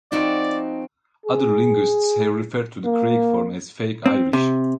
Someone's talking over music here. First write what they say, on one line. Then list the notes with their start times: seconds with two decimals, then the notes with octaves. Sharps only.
Other linguists have referred to the "craic" form as "fake Irish".
0.12 F3 C4 D#4 F#4 D5 D7
1.26 G#4
2.85 A#3
4.06 C4
4.33 C3